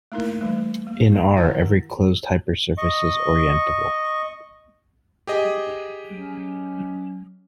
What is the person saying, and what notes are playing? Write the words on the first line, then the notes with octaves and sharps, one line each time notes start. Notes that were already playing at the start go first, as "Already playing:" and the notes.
In R, every closed hypersurface is orientable.
A3 A#3 D#4 E4 A#4
E3 G3 A3
A#3
E4 F5 F#5
D#3
D#5 C#6
G4 G#4 D#5
F#3 C#4